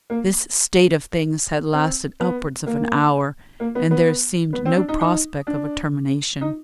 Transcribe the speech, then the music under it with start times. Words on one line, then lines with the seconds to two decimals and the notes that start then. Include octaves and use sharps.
This state of things had lasted upwards of an hour, and there seemed no prospect of a termination.
0.10 A#3
1.73 C4
2.20 B3
2.67 A#3
3.60 A#3
3.75 B3
3.91 B3
4.53 B3
4.66 C4
4.76 D4
4.89 D#4
5.01 D#4
5.47 D4
6.41 D#4